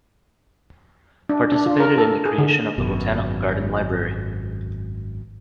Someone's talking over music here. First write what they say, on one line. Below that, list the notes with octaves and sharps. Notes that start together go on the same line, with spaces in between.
Participated in the creation of the botanical garden library.
D4
D4
F4
A#4
A4
G#4
D3
G#1 F#2 B2